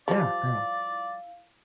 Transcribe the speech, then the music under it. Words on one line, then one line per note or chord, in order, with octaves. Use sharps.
Yeah, yeah.
F3 G3 E4 D5 F5